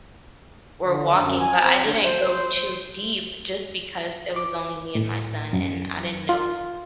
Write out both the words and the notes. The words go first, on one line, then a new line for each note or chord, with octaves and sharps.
were walking, but I didn't go too deep just because it was only me and my son, and I didn't know
D3
F#2
G#5
C4
D3
C5
D6
A2
F#2
F4